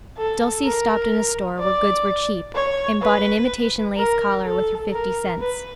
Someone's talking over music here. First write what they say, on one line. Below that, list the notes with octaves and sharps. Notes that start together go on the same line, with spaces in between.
Dulcie stopped in a store where goods were cheap and bought an imitation lace collar with her fifty cents.
A4
A#4
D5
C#5
B4
A#4
A4
A#4
B4